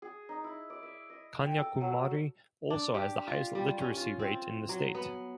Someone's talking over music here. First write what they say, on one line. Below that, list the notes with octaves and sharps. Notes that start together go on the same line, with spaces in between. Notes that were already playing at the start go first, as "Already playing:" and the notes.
Kanyakumari also has the highest literacy rate in the state.
G#4
D#4
E4
D5
E5
D#5
G5
A4
F#3
D4
G4
F4
G3
C#4
F4
C4
F#3
B3